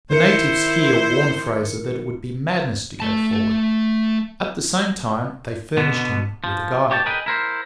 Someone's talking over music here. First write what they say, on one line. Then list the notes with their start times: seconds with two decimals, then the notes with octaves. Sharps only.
The natives here warned Fraser that it would be madness to go forward. At the same time they furnished him with a guide.
0.11 D#3 E4 A#4 C5 C#7
3.00 A3 A5
5.77 B2 D3 B3
6.44 F3
6.91 G4 C#5 G5 A5
7.06 G#4 A#4 B4 D#5 G5
7.26 E4 A#4 C5